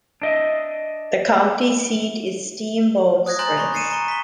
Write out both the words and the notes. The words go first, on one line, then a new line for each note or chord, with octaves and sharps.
The county seat is Steamboat Springs.
D4 D#5 E5
D#6 F#6 G#6 A#6
G#5 A#5 C6 F#6 G6 A6
B5 C#6
A6 C7 C#7 D#7 E7
A#5 C#6
B6 G7